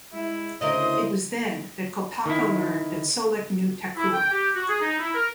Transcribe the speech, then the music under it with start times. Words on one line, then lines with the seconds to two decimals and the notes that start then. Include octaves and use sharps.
It was then that Kopaka learned that Solek knew Takua.
0.12 G#3 E4
0.61 D2 C#3 C#4 E4 A#4 C5 D#5 D#6
2.26 D#3 E4
3.97 E4
4.12 G5
4.31 G4
4.55 F#4
4.68 G#4
4.81 D#4
4.99 E4
5.14 A#4